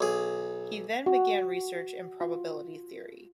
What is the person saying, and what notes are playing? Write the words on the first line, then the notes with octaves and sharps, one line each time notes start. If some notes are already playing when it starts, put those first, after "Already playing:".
He then began research in probability theory.
B1 G#4
F#4
F4